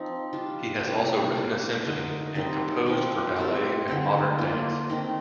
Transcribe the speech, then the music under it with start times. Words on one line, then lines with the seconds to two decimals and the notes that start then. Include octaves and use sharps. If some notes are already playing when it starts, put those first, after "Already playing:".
He has also written a symphony and composed for ballet and modern dance.
Already playing: F3 C4 D#4
0.33 G3 D4 F4
0.83 C3 G3 A#3
1.33 A#3 D4 F4
1.85 D3 A3 D#4 A#4
2.35 D#3 G3 C4 D#4
2.86 F3 C4 D#4
3.36 G3 C4 F4 A#4
3.88 D3 A3 C4
4.38 A#3 D4 F4
4.89 D#3 A3 C4